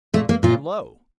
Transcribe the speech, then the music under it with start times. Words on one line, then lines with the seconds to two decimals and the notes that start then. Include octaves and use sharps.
And lo!
0.14 A#2 A3
0.29 A#3
0.43 A#2 F4